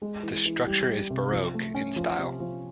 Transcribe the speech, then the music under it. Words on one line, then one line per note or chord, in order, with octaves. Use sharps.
The structure is Baroque in style.
G#3
E3
E3
G3
G3
C2
F3
A3
C#4
F3
C3
F3